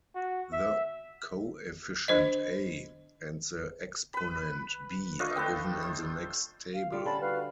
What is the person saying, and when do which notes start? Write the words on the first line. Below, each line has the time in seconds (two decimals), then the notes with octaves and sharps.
The coefficient a and the exponent b are given in the next table.
0.15 F#4
0.53 E5
2.08 D4 C5 D#5
4.14 B4 B5
5.19 A3 D4 F4 D#5
5.36 A4 B4 C5 G5
5.82 C5
6.74 F5
6.92 G3 F4 F5
7.06 D3 C#4 A5 B5
7.21 F#4 B4 F5